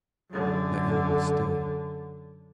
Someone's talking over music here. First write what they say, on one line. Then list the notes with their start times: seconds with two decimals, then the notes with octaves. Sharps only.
The air was still.
0.30 F#2 D3